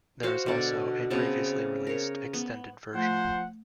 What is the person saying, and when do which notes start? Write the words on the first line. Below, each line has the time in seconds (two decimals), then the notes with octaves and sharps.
There is also a previously released extended version.
0.23 F#4 C5 F5
0.46 B2 D3 D5 C#6
1.10 C#3 B3 C4 A5
1.87 A#4 C#5
2.34 B3
2.95 F3 A3 C5 F#5